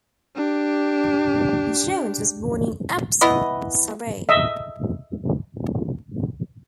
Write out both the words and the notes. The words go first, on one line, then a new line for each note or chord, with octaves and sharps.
Johns was born in Epsom, Surrey.
D4 G4
E3 B3 E4 D#5
D#5 E5